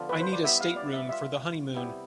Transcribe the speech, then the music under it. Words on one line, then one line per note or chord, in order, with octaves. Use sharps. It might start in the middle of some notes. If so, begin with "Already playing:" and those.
I need a stateroom for the honeymoon.
Already playing: D3 F3 B3 D4 F4
B4
C5
D5
G3 B3 E4 G4 E5
F5
D5
E5
G3 B3 F4 E5
C3 G3 B3 E4 G4